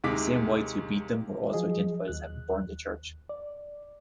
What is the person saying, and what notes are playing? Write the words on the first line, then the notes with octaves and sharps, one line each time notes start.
The same whites who beat them were also identified as having burned the church.
D#2 C3 G#3 D6 B6
F3 F#3 G#4 D#5
D#2 F#6
D5